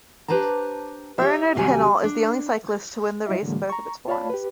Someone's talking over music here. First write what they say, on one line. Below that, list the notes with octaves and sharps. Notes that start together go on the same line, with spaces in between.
Bernard Hinault is the only cyclist to win the race in both its forms.
D4 G4 B4 C5 A5 A#5
G4 C#5 E5
D#2 C3 F#3 G3 G#5
D4
F#3 G3 E4 F#4 D#5 E5
A2 D3 E3 F#3 G#3 A#3
A#5 C#6
F4 C#5 D5 F5 A5 B5
G4 B4